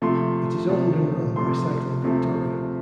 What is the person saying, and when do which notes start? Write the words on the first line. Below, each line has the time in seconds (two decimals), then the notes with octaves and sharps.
It is owned and run by Cycling Victoria.
0.02 C3 F3 A3 C6
0.69 C3 F3 A3
1.36 C3 F3 A3 C6
2.04 C3 F3 A3